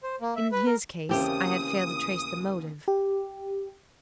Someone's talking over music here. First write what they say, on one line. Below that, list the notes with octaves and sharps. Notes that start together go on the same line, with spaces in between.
In his case I had failed to trace the motive.
C5
A#3
E5
B4
A#4
D#2 C#3 E3 A3 C4 G4 A4 D#6
G4